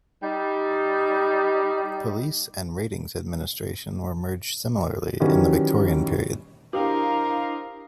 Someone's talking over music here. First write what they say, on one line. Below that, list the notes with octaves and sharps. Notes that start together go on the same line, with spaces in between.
Police and ratings administration were merged similarly in the Victorian period.
G3 D#4
D#3 E3 F#3 G3 C#4
D4 E4 G4 A#4 C5 D#5 F5 D6